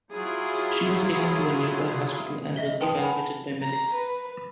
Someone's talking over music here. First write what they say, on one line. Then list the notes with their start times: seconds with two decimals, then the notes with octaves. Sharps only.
She was taken to a nearby hospital and was evaluated by medics.
0.13 F#3 E4 F4 G#4
2.56 D#5 E5 B6 G7
2.80 A#4 B4 G5 A5 C6 D#6
2.99 F#5 G#5 A5 B5
3.62 A#5
3.94 B4